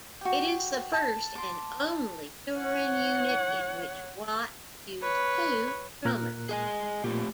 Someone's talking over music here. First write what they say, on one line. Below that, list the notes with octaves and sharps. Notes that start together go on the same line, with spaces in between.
It is the first and only touring unit in which Watt used two drummers.
F#4 G4
A5
C6 D6
C#5 F#5
B4 C#5
A#2 A#4 F#6
G#4 D#5 G#5
A#2 A3 F4 G4